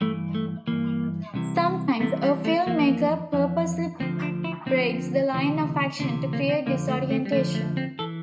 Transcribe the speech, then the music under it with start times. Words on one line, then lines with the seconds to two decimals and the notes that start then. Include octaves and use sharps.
Sometimes a filmmaker purposely breaks the line of action to create disorientation.
0.01 G2 E3 A3
0.35 A3
0.68 G2 E3 A#3
1.34 C2 C3 E3
2.00 C2 C3 E3 A3
2.23 G3
2.45 A3
2.66 F2 E3 A#3
3.33 F2 E3
4.00 D2 D3 F3 C4
4.22 D4
4.44 E4
4.66 D2 D3 F3 C4
5.33 D2 C3 E3
5.99 D2 C3 E3 D4
6.33 A#3
6.49 C4
6.66 F2 D3 F3 A#3
6.89 A3
7.11 A3
7.25 G3
7.32 F2 D3 F3 A3
7.55 A3
7.77 C4
7.99 E3 A4